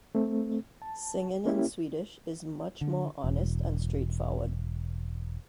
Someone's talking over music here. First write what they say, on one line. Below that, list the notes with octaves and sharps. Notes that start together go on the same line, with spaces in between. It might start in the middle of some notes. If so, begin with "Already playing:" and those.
Singing in Swedish is much more honest and straightforward.
A3 C4
A5
A#3 C#4 E4 G4
D3
E1